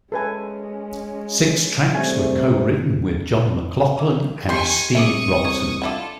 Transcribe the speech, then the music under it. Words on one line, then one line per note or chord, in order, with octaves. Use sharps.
Six tracks were co-written with John McLaughlin and Steve Robson.
G#3 C#4 A4 B4 G#5
C3 G3 A3 G#5
E3
D#3 G4 G#5 C6 C#6
C2 D4 G#4 E5 C#6 D#6
C5 C#5
D4 E4 F4 A4 F#5